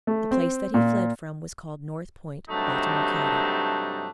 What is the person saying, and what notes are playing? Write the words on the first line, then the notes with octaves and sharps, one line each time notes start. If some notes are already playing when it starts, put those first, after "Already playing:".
The place that he fled from was called North Point, Baltimore county.
A3
C4
A#2
G2 C3 F#3 A3 D4 D#4